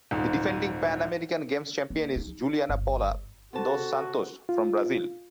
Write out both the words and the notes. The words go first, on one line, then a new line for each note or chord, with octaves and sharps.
The defending Pan American Games champion is Juliana Paula dos Santos from Brazil.
D#1 G#2
A#3
D#4
G1
C3 F#4 A4 C5 A5
F4